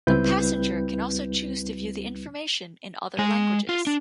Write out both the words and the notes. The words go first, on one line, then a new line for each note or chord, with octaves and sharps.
The passenger can also choose to view the information in other languages.
C#2 G3 C4 E4 B4 G6
G#3 G#5
F4
D4